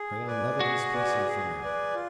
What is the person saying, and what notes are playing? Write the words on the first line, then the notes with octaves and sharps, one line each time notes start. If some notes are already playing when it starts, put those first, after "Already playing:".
Crayon leveled his piece and fired.
Already playing: G#4
B4 D5 G#5
F#4 G#4
B4 D5 G#5
G#4
B4 D5 G#5
F4